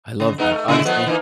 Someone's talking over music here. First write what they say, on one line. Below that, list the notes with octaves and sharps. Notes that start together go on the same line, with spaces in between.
I love that, honestly.
C#3
G#3 B3 D#4
A3
C#3 G#3 E4
F3 A3 B3
E3 A#3 D#4